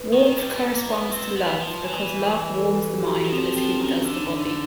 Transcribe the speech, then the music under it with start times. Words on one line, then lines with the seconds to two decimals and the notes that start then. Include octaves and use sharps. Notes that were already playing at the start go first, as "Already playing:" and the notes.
Warmth corresponds to love because love warms the mind as heat does the body.
Already playing: B4
0.13 D#3
0.38 G3
0.56 A3
0.74 A#3
0.92 B3
1.11 C4
1.35 B3
1.60 F3
1.84 E3
2.58 A4
2.82 G4
2.90 F#4
2.98 G4
3.07 F#4
3.25 F#3
3.32 F3 C4
3.56 F3 C4
3.80 D#3 C#4
4.05 D3 D4
4.18 D#4
4.30 D4